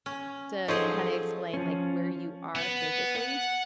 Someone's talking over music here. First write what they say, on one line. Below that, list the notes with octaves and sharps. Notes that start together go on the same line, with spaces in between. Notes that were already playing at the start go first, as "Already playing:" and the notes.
to kinda explain, like, where you are physically
C#4
F3 F#3 D#4 G#4 A4 C5 C#5
F3 C#4
B3
F#5